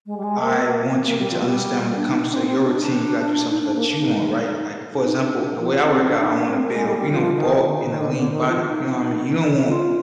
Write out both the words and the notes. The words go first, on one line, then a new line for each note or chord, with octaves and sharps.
I want you to understand when it comes to your routine, you gotta do something that you want." Right? Like, for example, the way I work out, I wanna build you know, bulk and a lean body, you know what mean? You don't want
G#3
G3
G#3
A#3
A#3
C4
A#3
G3
F3
G3
D4
D#4
D#4
C4
C4
D4
D4
D#4
D4
A#3
D4
D#4
D#4
D4
F3
C4
D4
D#4
D4
C4
A#3
G#3
G3
G3
F3
D#3
D3
D#3
D#3
D3
D3
D#3
F3
D#4
F4